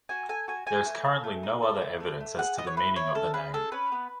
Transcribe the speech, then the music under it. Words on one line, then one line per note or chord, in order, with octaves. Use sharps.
There is currently no other evidence as to the meaning of the name.
F#4 G#5
A4 G#5
F#4 G#5
F#4 G#5
A3
A4
A3
D#4
A4
A3
A3
A3
G#4 F#5
B3 D#5
C#5
E4 B4
E4 C#5
C#4 A4
G#4 B4
C#4 A4
C#4 B4
B3